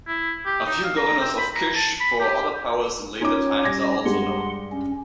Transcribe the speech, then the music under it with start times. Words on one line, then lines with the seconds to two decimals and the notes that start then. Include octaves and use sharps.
A few governors of Kish for other powers in later times are also known.
0.08 E4
0.46 G4
0.66 D#4
0.84 F5
0.97 A#5
1.20 C4
1.38 B5
1.55 A#5
1.75 A5
2.00 B5
2.20 G4
3.22 C#4 D#4 F4 C#5 D6
3.65 G3 C#4 G4 G#6 A#6
4.05 G2 G#3 G4 F#5 C6
4.72 C#4